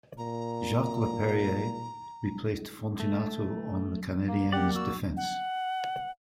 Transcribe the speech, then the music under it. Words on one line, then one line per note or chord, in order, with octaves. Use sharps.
Jacques Laperriere replaced Fontinato on the Canadiens defence.
A#2 A#5
A3
A#3
A#3 G4 D5 F#5
F#4 E6
F#5